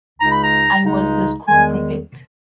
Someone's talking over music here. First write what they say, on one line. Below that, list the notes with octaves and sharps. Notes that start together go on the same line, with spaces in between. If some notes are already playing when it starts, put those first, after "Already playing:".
I was the school prefect.
C#2 C#3 G#3 D#4 A#5
B5
A#5
C#2 C#3 G#3 D#4
E2 D#3 G#3 G#5